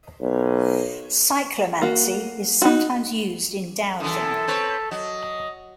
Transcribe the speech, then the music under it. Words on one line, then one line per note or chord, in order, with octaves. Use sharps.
Cyclomancy is sometimes used in Dowsing.
B1
A#3 F#4
D#4 F#4
F#2 E3 A4
C4 B4 C#5
F#3 D#5